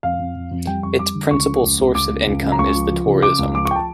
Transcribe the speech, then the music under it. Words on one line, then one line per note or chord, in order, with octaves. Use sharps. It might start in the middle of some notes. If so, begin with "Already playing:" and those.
Its principal source of income is the tourism.
F2 F5
F2
F2
F2
G3 G5
F2 C#6
G3 D6
D3
C#2 C#6
F3
C#2
C#2
C#2 D6
C#2
C#2
C#3
A#5
C#2 C#6
F3
F3
C#3
C#3 D6
C#2
F3 D6
C#6
G5
A5